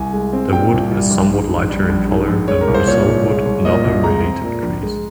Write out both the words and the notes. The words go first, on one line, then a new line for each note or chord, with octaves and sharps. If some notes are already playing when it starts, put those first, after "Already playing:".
The wood is somewhat lighter in color than Brazilwood and other related trees.
Already playing: C2 G#5
G#3
C4
A#2 G5
C2
G3
A#1
G#2
A#1
G3
A#1
G#2
A#1
G#3 C#5
A#4
C2
C5
A#2 C#5
C2
G#3
C2
A#2 D#5
C2
G#3 A#5
C4
A#2
A#1
G#3